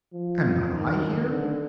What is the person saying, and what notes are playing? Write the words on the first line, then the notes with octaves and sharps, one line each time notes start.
"Am not I here?"
F3
D#3
D3